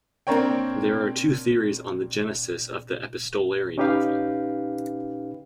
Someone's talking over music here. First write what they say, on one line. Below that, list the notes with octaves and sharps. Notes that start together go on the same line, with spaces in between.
There are two theories on the genesis of the epistolary novel.
A#3 C4 D4 A#4 C#5 G5
C#4 D#4 G4 B4 F5 G5